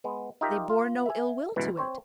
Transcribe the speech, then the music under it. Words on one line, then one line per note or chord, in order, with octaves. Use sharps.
They bore no ill-will to it.
G#3 B3
D#4 F4 G4 A#4 E5
F4
E5 G#5
C#2 G2 B2 E3
C4 C5 C#5